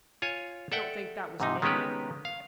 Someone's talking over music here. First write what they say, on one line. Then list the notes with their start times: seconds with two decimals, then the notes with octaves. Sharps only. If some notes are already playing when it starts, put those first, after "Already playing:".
"You don't think that was an Indian, then?"
0.22 F4 C#5 G#5
0.72 A4 D5 E5 F#5 G5
1.40 G#2 C3 D#4
1.62 D#3 G#3 B3 C#4 G4 B4
2.25 F5